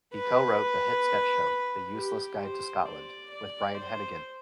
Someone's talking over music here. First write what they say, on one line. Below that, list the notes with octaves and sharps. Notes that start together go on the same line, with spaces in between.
He co-wrote the hit sketch show 'The Useless Guide to Scotland' with Brian Hennigan.
B4
G4
C5
D5
D5
C5